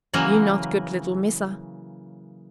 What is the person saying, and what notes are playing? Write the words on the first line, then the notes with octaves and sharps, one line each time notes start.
You not good little Missa.
C#3 E3 F#3 A#3